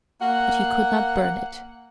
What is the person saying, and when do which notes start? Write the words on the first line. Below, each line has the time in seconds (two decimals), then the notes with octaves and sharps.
But he could not burn it.
0.20 A#3 F#5